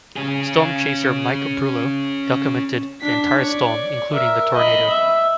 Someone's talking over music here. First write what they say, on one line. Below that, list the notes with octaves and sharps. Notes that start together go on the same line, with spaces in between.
Storm chaser Mike Brulo documented the entire storm, including the tornado.
C#4 G#4
D4 B6
C#5 D5
A#4 E5
D#5 B5
E5